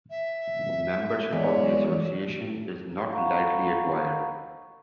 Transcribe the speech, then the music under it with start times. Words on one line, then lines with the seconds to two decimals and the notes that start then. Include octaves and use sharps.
Membership of the association is not lightly acquired.
0.10 E5
1.32 E2 G#3 C#5 D5
3.13 F5 F#5 A#5 B5 C#6